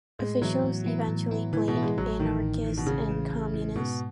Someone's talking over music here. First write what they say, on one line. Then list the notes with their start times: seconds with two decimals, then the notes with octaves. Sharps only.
Officials eventually blamed anarchists and communists.
0.19 A2 G#3
0.42 E3 F#3 B3 E4
0.64 A2
0.86 E3 B3 E4
1.08 A2
1.31 E3 B3 E4
1.53 A2 E3
1.68 B2
1.75 E3 B3 E4
1.83 G#3
1.98 A1 F#3
2.19 A2 D#3 E3
2.42 A1
2.64 A2 E3
2.77 B2
2.86 A1 C#3
3.08 A2 E3
3.31 A1
3.54 A2 E3
3.76 G#2 B2